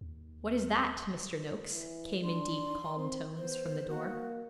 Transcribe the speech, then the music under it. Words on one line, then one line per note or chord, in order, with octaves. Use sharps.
'What is that, Mr. Noakes?' came in deep, calm tones from the door.
D#2
E3
D4 C6
C4
B3 C5
A#3 F#4